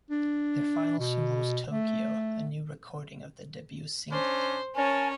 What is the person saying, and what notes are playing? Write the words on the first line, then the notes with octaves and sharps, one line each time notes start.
Their final single was "Tokyo", a new recording of their debut single.
D4
B2
A3
C#4 D4 C5
C#4 A#4 C#5 G#5 A5